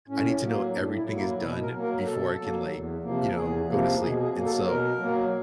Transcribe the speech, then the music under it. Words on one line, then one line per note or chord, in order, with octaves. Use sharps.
I need to know everything is done before I can, like, you know, go to sleep, and so
A2 C#4
F#3 A#3
A2 D4
E4
F#3 A#3
E4
B2 E4
A#4
F#3 A#3
A#4
B2 A4
F#3 A#3
E2
C3 F3 A#3
E2 G#4
C3 F3 A#3
B2 G#4
G#4
F#3 A#3
A4
B2 A#4
F#3 A#3